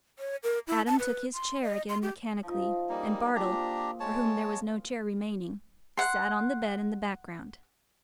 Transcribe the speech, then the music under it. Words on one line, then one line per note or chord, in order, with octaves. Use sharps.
Adam took his chair again mechanically, and Bartle, for whom there was no chair remaining, sat on the bed in the background.
C#5
A#4
E4
A5
B4
C6
D#5
C6
G4
F3 D#4
F#3 G3 A#3 D#4 G#4
A#2 C4 D4 G4 A#5
G#3 C#5 A5
F#5 C6